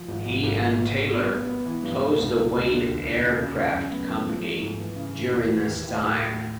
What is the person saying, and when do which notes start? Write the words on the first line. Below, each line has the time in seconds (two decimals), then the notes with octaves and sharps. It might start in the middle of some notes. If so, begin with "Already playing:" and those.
He and Taylor closed the Wayne Aircraft Company during this time.
Already playing: F3
0.08 G#1
0.26 G#1
0.43 G#1
0.61 B1
0.78 B2
0.96 B2
1.13 B3
1.31 B3
1.47 B3
1.65 E3
1.82 G2
2.00 G#3
2.18 C#2
2.35 C#3
2.52 C#2
2.70 D3
2.87 D#2
3.04 D#2
3.22 C#3
3.39 C#3
3.57 C#3
3.74 F#2
3.91 B3
4.09 F#2
4.27 F3
4.44 A3
4.61 G#2
4.79 E3
4.96 C#3
5.14 E3
5.32 D#2
5.48 E3
5.66 D#2
5.83 A2
6.01 A2
6.18 A2